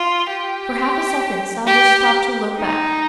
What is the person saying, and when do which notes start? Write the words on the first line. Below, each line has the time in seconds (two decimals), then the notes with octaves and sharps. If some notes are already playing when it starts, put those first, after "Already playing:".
For half a second Saunders stopped to look back.
Already playing: F4
0.30 G4
1.66 G4
2.58 D#4